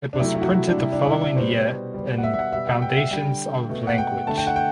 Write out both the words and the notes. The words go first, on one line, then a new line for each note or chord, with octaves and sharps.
It was printed the following year in Foundations of Language.
D4
C3 F#3 A3 E4
E4
F#4
E4
D4
C3 G3 E4
D4
E4
D4
B2 G3 C5
C5
B2 G3
F#5
E5
E5
F#5
B2 G3 E5
F#5
G5
E5
D3 G3 G5
B2 A3
F#5
G5
D3 A3 A5
G5
F#5
G5